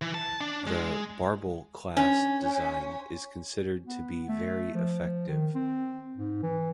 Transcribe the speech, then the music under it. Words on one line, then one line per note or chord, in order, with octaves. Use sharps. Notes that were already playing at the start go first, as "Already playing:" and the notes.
The "Barbel" class' design is considered to be very effective.
E3
A5
D4
G#3
C#4
B3
A3
F3
D#3
C4
G#2
E3